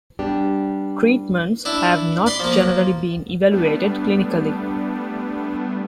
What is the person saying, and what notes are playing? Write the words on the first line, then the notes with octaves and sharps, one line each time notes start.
Treatments have not generally been evaluated clinically.
G3 B3 D4 G4
D4 E4
D5 B5 C6
F3 A#3
G3 A3 B3 D4